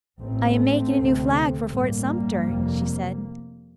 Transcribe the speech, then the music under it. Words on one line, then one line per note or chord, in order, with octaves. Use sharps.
"I am making a new flag for Fort Sumter," she said.
A1 A2 A3 C4
D2 C3
A1 G2 G3 A#3
F1 F2 C3